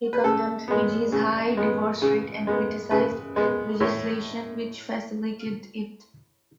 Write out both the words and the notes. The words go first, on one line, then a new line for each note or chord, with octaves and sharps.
He condemned Fiji's high divorce rate, and criticized legislation which facilitated it.
B4
C#3 A4
G#3 B3
C#3
G#3 B3
C#3
G#3 B3
C#3 B4
G#3 B3
A2 C#5